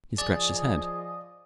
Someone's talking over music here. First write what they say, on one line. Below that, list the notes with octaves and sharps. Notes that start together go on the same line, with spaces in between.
He scratched his head.
F3 G#4 D5 D#5